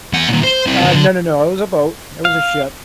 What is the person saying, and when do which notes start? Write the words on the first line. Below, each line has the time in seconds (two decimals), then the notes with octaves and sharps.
Uh, no, no, no, it was a boat, it was a ship.
0.14 E2 F#5
0.29 A#2 D#3
0.44 C5
0.67 C3 E4
0.80 D3 B3
0.95 D3
2.25 F5